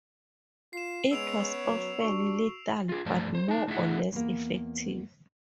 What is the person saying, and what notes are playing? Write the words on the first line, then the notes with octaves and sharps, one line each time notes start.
It was often lethal, but more or less effective.
F4 C7 E7
G#3 B3 C#4 C#5 E6 D7 F7
F#3
D4 F#4 C#6
F4 G#4
G2 F3 A3 C5 D5 A5
C5
D#4 A5
A3 D4 E4 G#4 E5 F#5
E2 A#3